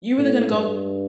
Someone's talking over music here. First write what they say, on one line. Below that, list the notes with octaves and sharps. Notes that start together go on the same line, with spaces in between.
you really gonna go
A2
G2